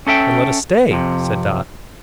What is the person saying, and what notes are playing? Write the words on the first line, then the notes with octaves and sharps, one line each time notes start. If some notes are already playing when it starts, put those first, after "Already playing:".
"Then let us stay," said Dot.
C#4 A4 E5 G5
F2 C3